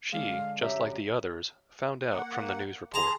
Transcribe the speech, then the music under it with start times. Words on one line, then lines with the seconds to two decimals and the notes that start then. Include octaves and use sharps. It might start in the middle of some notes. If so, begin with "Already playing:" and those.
She, just like the others, found out from the news report.
0.12 D3 G#3 F5
0.61 F#2 G4 E5 A#5
2.11 A#3 F#5
2.94 G#4 A5 A#5 C6